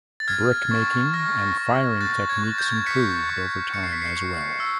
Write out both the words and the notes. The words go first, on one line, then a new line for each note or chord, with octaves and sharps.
Brick making and firing techniques improved over time as well.
A6
F6 G#6
C#6
F6 A#6
C#6
F#6 A6
G#6
C#6
G6
F#6 B6 C#7
C#6
C#6 C#7
C7
B6
C7
C#6
E6